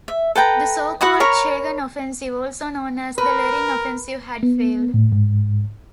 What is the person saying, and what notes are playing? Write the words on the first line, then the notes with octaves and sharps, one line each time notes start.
The so-called Chegan Offensive, also known as the Lerin Offensive, had failed.
E5
A4 B4 G5 A#5
F#4 F#5 B5 D#6
A#4 C#5 A#5 B5
A#4 B4
B3
A2
G#2